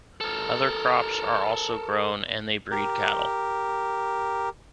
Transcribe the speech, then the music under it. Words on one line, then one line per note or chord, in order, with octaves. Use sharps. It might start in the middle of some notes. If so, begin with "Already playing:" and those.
Other crops are also grown and they breed cattle.
A4 A#4
G4 A#4